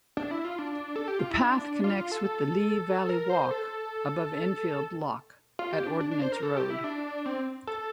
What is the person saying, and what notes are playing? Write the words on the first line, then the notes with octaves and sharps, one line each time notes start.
The path connects with the Lea Valley Walk above Enfield Lock at Ordnance Road.
D4
E4
F4
D4
A4
G4
F4
E4
D4
F4
F4
A4
A#4
C5
A4
F4
G4
D4
D4
D4
C5
A#4
A4
G4
E4
D4
C4
A4